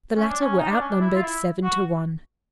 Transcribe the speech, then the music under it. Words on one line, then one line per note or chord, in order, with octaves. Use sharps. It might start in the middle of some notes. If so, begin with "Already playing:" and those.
The latter were outnumbered seven to one.
C#4
D4
C#4
D#4
D4
C#4
D4
E4
F4
E4
F#4